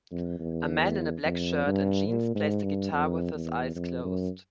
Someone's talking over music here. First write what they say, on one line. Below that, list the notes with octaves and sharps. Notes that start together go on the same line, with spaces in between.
A man in a black shirt and jeans plays the guitar with his eyes closed.
F2
E2
F2
G2
A#2
G#2
G2
F2
E2
F2
F#2